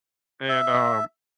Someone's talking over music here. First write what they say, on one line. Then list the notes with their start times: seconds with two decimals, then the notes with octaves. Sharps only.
and, um,
0.49 E5